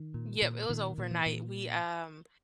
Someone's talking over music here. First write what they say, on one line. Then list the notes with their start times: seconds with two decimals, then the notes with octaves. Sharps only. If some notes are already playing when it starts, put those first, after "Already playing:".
Yep, it was overnight. We, um
Already playing: D#3
0.14 A#2
0.42 A#2
0.69 A#2 D#3
0.98 A#2
1.11 E3
1.26 A#2